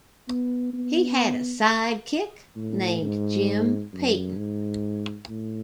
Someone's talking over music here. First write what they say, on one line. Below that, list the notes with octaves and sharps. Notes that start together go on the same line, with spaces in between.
He had a sidekick named Jim Peyton.
B3
B3
A2
G#2
F#2
G#2
A2